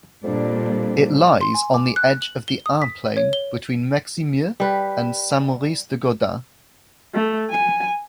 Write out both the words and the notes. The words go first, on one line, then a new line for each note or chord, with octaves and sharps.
It lies on the edge of the Ain plain between Meximieux and Saint-Maurice-de-Gourdans.
F2 A#2 G3 D4
C6
G#5
D6
F#6
F#7
G7
D#6
B6
C#5
G7
G3 B4
A3
G#5